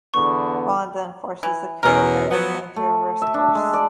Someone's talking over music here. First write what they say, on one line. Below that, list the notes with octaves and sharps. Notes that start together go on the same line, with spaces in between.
Bond then forces the crew of the airplane to reverse course.
E2 D3 B3 C#6
E3
E2 B2 C#4 A#4
F3 F#3 B3
A3
E5
D4
G#3
D5